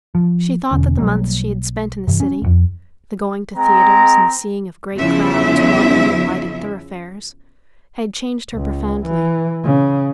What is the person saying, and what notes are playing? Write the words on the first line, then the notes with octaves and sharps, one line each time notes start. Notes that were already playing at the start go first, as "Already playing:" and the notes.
She thought that the months she had spent in the city, the going to theaters and the seeing of great crowds wandering in lighted thoroughfares, had changed her profoundly.
F3
E1 D3 C#4
B1 F#3 G3 A#3
G2 C3 E3
C#4
E1 F2
G#3 C4 A#5
E2 C#3 F3 E4 E5
C#2
E3
C#3